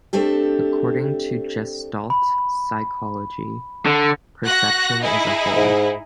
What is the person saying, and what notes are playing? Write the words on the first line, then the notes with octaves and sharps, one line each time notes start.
According to Gestalt psychology, perception is a whole.
A3 C4 D4 G4 A4
B5
D3
F#4 F#6 A#6
D#4 E4 G#4
G#2